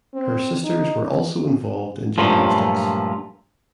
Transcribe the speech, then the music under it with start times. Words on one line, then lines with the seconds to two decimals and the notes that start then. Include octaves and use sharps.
Her sisters were also involved in gymnastics.
0.14 C4
0.64 D#4
2.18 G2 A#2 F3 F#3 A3